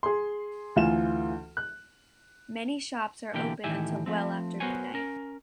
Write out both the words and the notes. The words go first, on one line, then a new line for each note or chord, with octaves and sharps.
Many shops are open until well after midnight.
G#4 C6
D2 E3 F4 G#5 E7
F#6
B2 D3 E3 A#3 G4 G5
A2 D#3 E3 G4 E5 G#5
F3 A3 C4
B3 F#4 A#4 C5 C#5 G#5
C#4 A#4